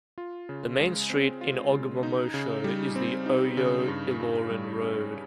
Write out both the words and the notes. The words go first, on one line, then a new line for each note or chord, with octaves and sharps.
The main street in Ogbomosho is the Oyo-Ilorin road.
F4
C#3
G#3
C4
F4
C#3
D#4
C#3
G3
C4
D#4
C#3
G2
G2
G3
C#4